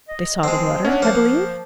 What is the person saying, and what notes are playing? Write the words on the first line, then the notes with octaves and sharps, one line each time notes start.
"They saw the letter, I believe?"
D#5
F3 G#3 C4
B3 C#4 D4
F3 A#3 C5 F#5